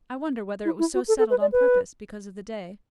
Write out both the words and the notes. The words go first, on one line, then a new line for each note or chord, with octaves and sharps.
I wonder whether it was so settled on purpose, because of the day.
E4
E4
F#4
A4
A4
B4
D5
B4